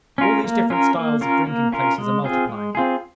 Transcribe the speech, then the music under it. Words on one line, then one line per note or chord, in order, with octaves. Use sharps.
All these different styles of drinking-places are multiplying.
C#4 F4 A#4
A#3
C#4 F4 A#4
A#3
C#4 F4 A#4
A#3
C#4 F4 A#4
G#3
C4 F4 G#4
G#3
C4 F4 G#4